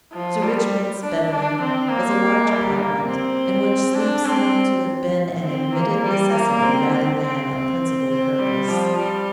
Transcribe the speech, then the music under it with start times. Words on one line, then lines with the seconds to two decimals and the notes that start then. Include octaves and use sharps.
Sir Richmond's bedroom was a large apartment in which sleep seemed to have been an admitted necessity rather than a principal purpose.
0.12 F3
0.43 G3
1.02 D4
1.31 D4
1.60 C4
1.89 A#3
2.49 G3
2.78 A#3
3.08 C4
3.96 D4
4.26 C4
5.44 C4
5.74 A#3
6.03 G3
6.32 A#3
6.63 C4
6.92 C4
7.22 C4
8.10 C4
8.39 G3
8.68 F3
8.98 G3